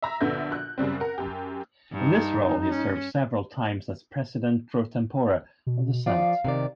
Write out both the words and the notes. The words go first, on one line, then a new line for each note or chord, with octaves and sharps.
In this role he served several times as President pro tempore of the Senate.
E5 A#5 A#6
A#1 D3 B3 F#4 E5 G6
F#6
F#2 C#3 G3 C4
A#4 F#5
F#2 G4
G2 D#4
C#4
B2
F3 D5 F5
C3 D#3 D5